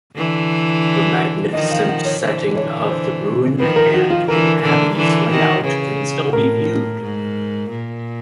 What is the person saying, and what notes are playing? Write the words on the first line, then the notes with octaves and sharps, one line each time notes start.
The magnificent setting of the ruin and the Abbey's layout can still be viewed.
D3 E3
D#3 F3 D#5
F5
F#5
C#5
D3 E3 C5
C#5
C5
D#3 F3 B4
A#4
F#4
F4
D3 E3 A#4
D3 E3
D3 E3
D#3
C#3 B4
A2 A#4
G#2
A#2